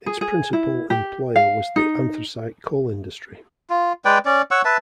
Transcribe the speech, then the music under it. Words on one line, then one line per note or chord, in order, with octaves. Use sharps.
Its principal employer was the anthracite coal industry.
G#4
G#4
E4
G4
F5
D#4
F4
G#3 B4 D5 G5
C#4 D5
C#5 F#5 C#6 E6
B4 E5 A5